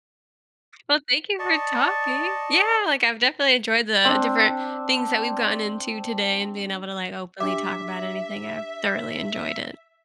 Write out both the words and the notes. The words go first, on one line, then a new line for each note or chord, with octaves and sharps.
Well, thank you for talking. Yeah, like I've definitely enjoyed the different things that we've gotten into today and being able to like openly talk about anything. I've thoroughly enjoyed it.
D5 D#5 A5 C#6
C4 D4
D4 G4 E5 D6